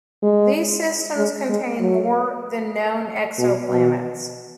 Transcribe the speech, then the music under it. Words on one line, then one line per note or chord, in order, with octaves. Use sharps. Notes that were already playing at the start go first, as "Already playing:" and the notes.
These systems contain more than known exoplanets.
G#3
G#3
G#3
F#3
B2
B2